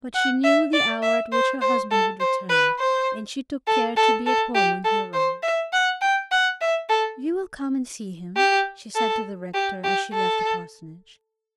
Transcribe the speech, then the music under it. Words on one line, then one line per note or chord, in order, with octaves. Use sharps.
But she knew the hour at which her husband would return, and she took care to be at home when he arrived. "You will come and see him?" she said to the rector, as she left the parsonage.
F#5
E5
D5
E5
C5
C5
A4
C5
B4
C5
A4
A4
A4
G4
A4
C5
E5
F#5
G5
F#5
E5
A4
G4
A4
G4
G4
A4